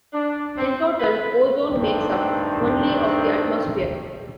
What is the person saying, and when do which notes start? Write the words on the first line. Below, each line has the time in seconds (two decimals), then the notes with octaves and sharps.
In total, ozone makes up only of the atmosphere.
0.13 D4
0.58 C4
1.00 B4
1.69 G2 D#3 A3 C4 D4